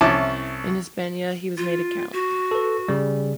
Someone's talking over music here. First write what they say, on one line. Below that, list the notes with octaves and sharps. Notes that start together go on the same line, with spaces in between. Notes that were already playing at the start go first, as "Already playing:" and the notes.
In Hispania he was made a count.
C2 C#4 E4 A5 D6
F4
F#4
A4 B4
C#3 G3